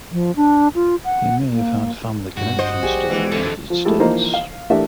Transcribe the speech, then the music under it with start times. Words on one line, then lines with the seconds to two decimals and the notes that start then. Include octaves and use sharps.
He may have had family connections to the United States.
0.12 F3
0.36 D4
0.75 F4
1.05 F#5
1.52 A#3
2.37 G2 F#4
2.59 C5 D#5
2.83 A#1 G3 G4 G#4
3.10 E3 G#3
3.32 F2 D3 A4 A5 C#6
3.70 F3
3.85 G#3 A3 E4 F4 G4 A4
4.00 E3 F3 A#3 D#4 C5
4.34 F5
4.70 E3 A3 D4 G4 A#4 E5